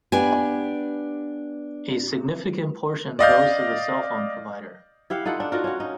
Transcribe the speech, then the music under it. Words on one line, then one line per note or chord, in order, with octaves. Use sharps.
A significant portion goes to the cell phone provider.
B3 D4 G4 G#5
D5 D#5 F5 G6
E4 G4 F5 F#5
D#4 F4 A4 F#5
D4
D#4 F4 F#4 A#4
C#4 F#4
D#4